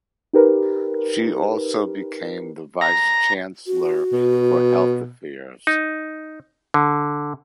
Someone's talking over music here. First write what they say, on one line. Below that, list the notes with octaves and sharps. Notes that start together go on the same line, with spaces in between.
She also became the vice chancellor for health affairs.
D#4 G4 A#4 B4
A#5
F#4
B2
D#4
D3